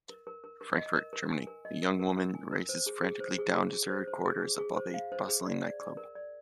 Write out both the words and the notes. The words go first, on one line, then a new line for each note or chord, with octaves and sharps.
Frankfurt, Germany: A young woman races frantically down deserted corridors above a bustling nightclub.
A#4
A#4
A#4
A#4
D#5
A#4
A#4
G#5
A#4
D#5
A#4
A#4
A#4
G#5
A#4
C5
G#4
G#4
C5
G#4
G#4
G#4
C5
C5
G#4
G#4
G#4
C5
F5
C5
G#4
D5
D5
D5
A#4
D5